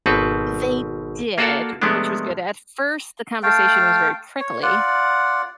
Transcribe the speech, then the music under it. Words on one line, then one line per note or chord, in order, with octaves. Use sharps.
They did, which was good. At first, the conversation was very prickly,
G#1 B2 C4 A4 B4
A#3 F4 F#4 A4 D5 A5
C3 F3 G#3 A3 B3 D4
A3 F5 G5 A5
C#5
F4 D5 F#5